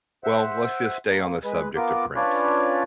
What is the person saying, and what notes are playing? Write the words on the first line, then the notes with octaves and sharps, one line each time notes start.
Well, let's just stay on the subject of Prince,
C5 E5 F#5
A#3
G#3 B4
B3 F4 A#4 D6
C#4 D4 F4 B4 C#5 D5